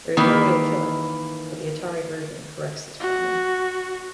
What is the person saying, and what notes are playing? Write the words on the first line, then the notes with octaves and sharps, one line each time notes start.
There is no way to kill it, but the Atari version corrects this problem.
D#3 E3 A#3 B4
F#4